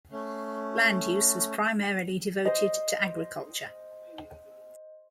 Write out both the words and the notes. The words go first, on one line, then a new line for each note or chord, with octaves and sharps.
Land use was primarily devoted to agriculture.
A3 C#4
C5 D#5